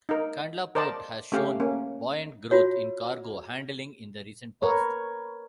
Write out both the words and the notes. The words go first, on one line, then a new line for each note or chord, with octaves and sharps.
Kandla Port has shown buoyant growth in cargo handling in the recent past.
D#4 A#4
A#4 C5 D5 D#5 A5
A3 C#4 G4 F5
A#3 C#4
F4 F#4 C#5
A#4 B4 C#5